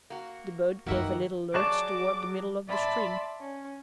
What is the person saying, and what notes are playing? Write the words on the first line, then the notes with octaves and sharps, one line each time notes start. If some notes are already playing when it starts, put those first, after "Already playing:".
The boat gave a little lurch toward the middle of the stream.
A#3 F#4
F#2 D#3 A3 A#3 F#4 B4 E5 F#5
F#3 G#4 D5 A5 C#6 D6 F#6
D5 E5 A5 B5 C6
C#4